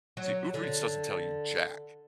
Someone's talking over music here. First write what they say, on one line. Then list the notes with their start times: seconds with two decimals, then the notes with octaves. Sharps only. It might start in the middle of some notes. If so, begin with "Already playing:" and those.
See, Uber Eats doesn't tell you jack.
0.17 F#3
0.54 D3